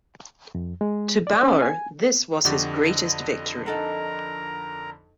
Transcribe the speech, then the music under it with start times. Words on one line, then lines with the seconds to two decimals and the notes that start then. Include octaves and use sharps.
To Bauer this was his greatest victory.
0.55 F2
0.81 G#3
1.27 D5
1.43 C#4
1.62 G#5
2.45 F2 D3 F#4 G4 D5 D#5
3.66 D#4 A4 A#4 F#5 A#5